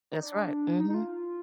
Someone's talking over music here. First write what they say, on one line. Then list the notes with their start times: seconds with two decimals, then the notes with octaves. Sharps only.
That's right. Mhm.
0.13 D#4
0.23 D4
0.80 D#4
0.90 D#4
0.94 F4